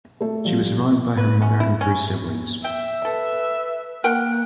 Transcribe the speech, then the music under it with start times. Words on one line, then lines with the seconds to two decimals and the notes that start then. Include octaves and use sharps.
She was survived by her mother and three siblings.
0.21 A3 A4
0.45 F3 G3
1.17 B4
1.42 C#4
1.60 E4
1.81 C#4
2.64 E5 G5
3.05 A4 B4
4.04 A#3 A#4 F#5 G5 F#6